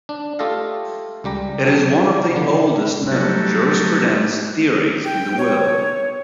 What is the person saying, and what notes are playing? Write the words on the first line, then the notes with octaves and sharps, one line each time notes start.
It is one of the oldest known jurisprudence theories in the world.
D4
A3 F4 G4 A4 D#5 F5
C#2 G3 G4 A#5
F#3 A3
C#3
D3 F3 B3 D4
F#3 G3 A3
G5
C#5